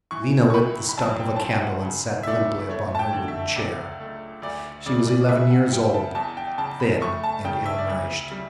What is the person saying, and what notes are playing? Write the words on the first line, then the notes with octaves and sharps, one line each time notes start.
Lena lit the stump of a candle and sat limply upon her wooden chair. She was eleven years old, thin and ill-nourished.
E3 C#6
C#6
C#2 B5
B5
F#2 A5
G5
A5
F#2 G5
F#5
C#3
E5
A3 D5
A3 C#5
A5
G5
D3
E5
C#2 D5
A3
D2 D5
C#3 D5
D5
C#3 E5
F#5
G3 G5
A5
E2 A5
G5
C#3 A5
B5
A3 C#6
A5
C#3 G5
E5
D5
D2 E5
G3